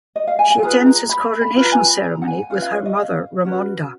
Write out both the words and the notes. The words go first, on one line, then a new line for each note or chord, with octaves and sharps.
She attends his coronation ceremony with her mother Ramonda.
D#5
F5
G#5
G#5
F4 G#4 B4 A#5
A#5
B5
B5
F4 B4 B5
A#5
G#5
B5
A#5
F#5
G#5
C#4 F4 B4 F5
F5
C#5
D#5
F5
C#4 F#4 B4